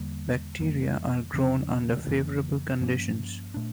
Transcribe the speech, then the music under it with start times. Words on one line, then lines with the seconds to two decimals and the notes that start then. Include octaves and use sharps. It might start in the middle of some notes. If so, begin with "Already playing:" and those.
Bacteria are grown under favourable conditions.
Already playing: E2 D3 G3 A#3
0.60 F2 E3 G3 A#3
1.33 E2 C#3 F3 C#4
2.07 F2 C#3 E3 A#3
2.81 G2 F3 A#3 C#4
3.54 A#2 A3 D4